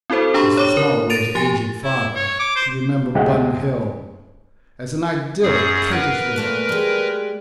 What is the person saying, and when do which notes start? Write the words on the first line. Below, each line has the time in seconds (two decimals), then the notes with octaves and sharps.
Mr. Smallways' aged father, could remember Bun Hill as an idyllic Kentish village.
0.10 C4 E4 F#4 A4 C5
0.34 D4 G4 A#5 B5 C#6
0.57 C#5 D6
0.77 A#4
1.10 A6 D7 D#7 F7
1.35 F3 G4 G#5 A6
1.84 E4
2.16 C#5
2.39 D6
2.56 C5
3.15 D2 C3 G#3 G4 D#5 F#5
5.43 F#2 G#4 D#6
5.91 A#4 B4 F#5
6.36 A#2 A3 E5
6.69 G3 G#3